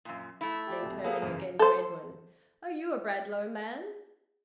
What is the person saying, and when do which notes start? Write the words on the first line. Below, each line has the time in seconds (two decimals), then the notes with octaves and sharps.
Then turning again to Edwin: "Are you a Bradlaugh man?"
0.05 F#2 A#2
0.41 A3 E4
0.67 G4 D5
0.83 D1 C3
1.04 A#3 B3 G#4 A4
1.22 F#2 C#3 E3
1.59 A4 C5